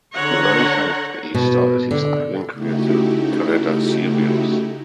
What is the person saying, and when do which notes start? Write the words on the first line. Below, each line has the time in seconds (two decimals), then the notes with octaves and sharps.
Niranjan Shetty started his acting career through Kannada Serials.
0.15 D3 C#5 F#5 A#5
1.34 B2
1.91 D3
2.52 C#3 A3 D#4 E4 F#4 G4